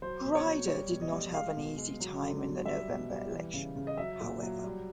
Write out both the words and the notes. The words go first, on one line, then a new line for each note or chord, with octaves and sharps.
Grider did not have an easy time in the November election, however.
F#3 C5
B2
C#5
F#3
G3 C#5
B2
D#5
G3
G#3 F5
B2
G#3
F#3
D3
F#3
G3 E5
B2
G3
E3
C#3
C#3
D#5
F#3 E5
A#2
F#3
G3